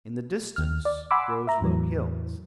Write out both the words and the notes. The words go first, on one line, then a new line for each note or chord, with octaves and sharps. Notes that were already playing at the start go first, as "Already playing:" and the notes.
In the distance rose low hills.
D#2 F6
D5
F#5 G#5 B5 C6 D6 E6
E5 A#5
E2 A2 E3 F#3